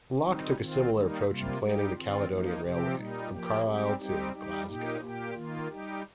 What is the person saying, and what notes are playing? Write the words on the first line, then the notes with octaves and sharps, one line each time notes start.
Locke took a similar approach in planning the Caledonian Railway, from Carlisle to Glasgow.
D#3 G3 C4 D#4
D#3 C4 F4
D#3 G3 A#3 D#4
C3 G3 A#3 F4
G3 D#4 G4
D#3 C4 F4
F3 A#3 D#4
C3 F3 C4 G4
A#2 G3 D#4
F3 A#3 G4
G3 C4 G4
G3 C4 D#4 G4
G3 D#4 G4
A#2 A#3 D#4 G4
A#2 A#3 G4
D#3 A#3 F4
G3 D#4 G4